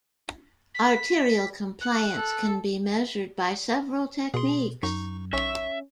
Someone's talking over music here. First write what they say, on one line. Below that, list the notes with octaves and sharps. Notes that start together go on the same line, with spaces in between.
Arterial compliance can be measured by several techniques.
B6
F#6
A4
B2 G#4 C6
F#2 D#4 C#6
B1 C#4 E5 C#6